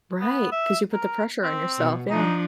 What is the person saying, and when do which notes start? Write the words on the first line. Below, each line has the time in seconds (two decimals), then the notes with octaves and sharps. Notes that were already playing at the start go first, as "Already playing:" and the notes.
Right, 'cause you put the pressure on yourself, yeah.
0.21 B3
0.52 E5
0.93 A#4
1.44 C4
1.79 B2
2.10 F3 D4 D#4